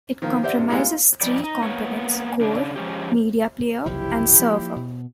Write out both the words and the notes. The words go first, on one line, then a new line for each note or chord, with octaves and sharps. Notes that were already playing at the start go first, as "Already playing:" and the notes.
It comprises three components, "Core", "Media Player", and "Server".
D#3 F3 A#3
G4 C5 D5 E5 F#5
G2 C3
G3 G#3 A#3 B3 D4 E4
F4
F3 G3 D#4 G4 D5
D#4
A#3 B3 C#5
C#3 D4
F3 G#3 C#4 G4
F#1 C2 F3 E4 G4
F3 F#3 A#3
B2